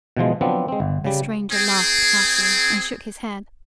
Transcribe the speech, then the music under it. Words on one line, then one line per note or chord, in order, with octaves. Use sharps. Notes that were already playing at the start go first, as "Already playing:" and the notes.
The stranger laughed heartily, and shook his head.
B2 E3 F3 G#3
F3 F#3 B3 C4 D4
G#3 C4
G1
C#3 G3
C4 G#4